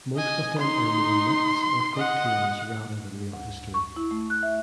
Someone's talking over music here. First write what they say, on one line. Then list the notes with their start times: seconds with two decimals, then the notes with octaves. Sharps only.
Most of them are more myths or folktales rather than real history.
0.16 D#5 G#5
0.59 D#4 C6
1.96 D#5 F#5
3.33 D2
3.74 C#6
3.96 E4
4.11 A3
4.30 F#6
4.43 E5